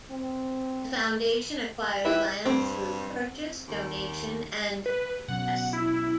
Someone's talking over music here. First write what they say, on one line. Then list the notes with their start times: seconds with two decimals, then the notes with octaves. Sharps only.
The Foundation acquires land through purchase, donation and bequest.
0.11 C4
2.05 E4 G4 B4 E5
2.45 G2 C4
3.67 D#2
4.86 B4
5.28 B2 F#3 C#4 F#5
5.73 E4